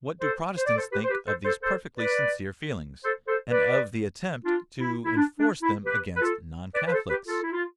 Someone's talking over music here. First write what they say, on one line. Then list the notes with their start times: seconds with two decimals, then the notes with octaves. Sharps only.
What do Protestants think of these perfectly sincere feelings, and of the attempt to enforce them against non-Catholics?
0.21 A4 C5
0.57 C5
0.66 D5
0.76 A4 C5
0.92 G4 B4
1.04 C5
1.10 G4 B4
1.27 A4 C5
1.45 A4 C5
1.62 A4 C5
1.98 B4 D5
3.03 A4 C5
3.28 A4 C5
3.51 B4 D5
4.45 D4 F4
4.80 E4
5.05 E4
5.16 D4
5.39 D4
5.63 E4
5.86 G4 B4
6.16 B4
6.22 F4 A4
6.75 B4 D5
6.87 B4
6.92 A4 C5
7.09 G4 B4
7.27 F4 A4
7.42 E4
7.53 F4